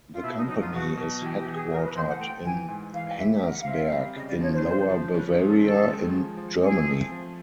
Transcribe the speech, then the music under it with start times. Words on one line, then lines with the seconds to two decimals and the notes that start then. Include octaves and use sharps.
The company is headquartered in Hengersberg, in Lower-Bavaria in Germany.
0.12 F4
0.23 B2 E4
0.36 D#4
0.48 F#3 D#4
0.60 F4
0.72 B2 F#4
0.97 B2
1.22 E3 G4
1.38 G4
1.46 E3
1.54 G#4
1.71 E3 A#4
1.83 B4
1.95 E3 C5
2.08 F#5
2.19 A3 G5
2.44 E3 G#5
2.68 G#2
2.93 E3 F5
3.18 G3 E5
3.34 E5
3.43 A#4
3.50 F#5
3.61 F5
3.67 C4 E5
3.82 F5
3.92 G3
4.16 C#3 D#5
4.28 D5
4.41 F3 C#5
4.53 C5
4.65 C#3 C5
4.90 F3
5.14 C#4 B4
5.31 A#4
5.39 G#2
5.47 A4
5.64 D#3 A4
5.88 G#3
6.13 F3
6.37 F3
6.61 C4 G#4
6.87 A3
7.11 F3